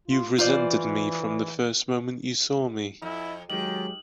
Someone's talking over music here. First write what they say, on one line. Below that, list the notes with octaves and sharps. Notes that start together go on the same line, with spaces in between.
You've resented me from the first moment you saw me!
F4
E3 F4 C5 D5
F2 E4
D#3 F#3 G#3 G4 F#7